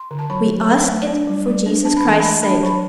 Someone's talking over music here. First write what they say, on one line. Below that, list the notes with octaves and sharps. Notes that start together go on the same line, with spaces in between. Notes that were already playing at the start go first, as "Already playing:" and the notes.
We ask it for Jesus Christ's sake.
Already playing: C6
D3
A5
F#3 B5
F#3
A3
A3
D4
G3
G3
D4
D4 A5
B5
E3 A5
B5
A3
A5
D4 B5
A5
F#3 B5